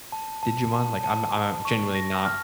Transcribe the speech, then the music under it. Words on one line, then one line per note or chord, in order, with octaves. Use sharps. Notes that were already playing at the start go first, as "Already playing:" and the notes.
Digimon? Like, I'm no I I'm genuinely not
A5
A5
A5
A5
A5
C#6
A#6
F6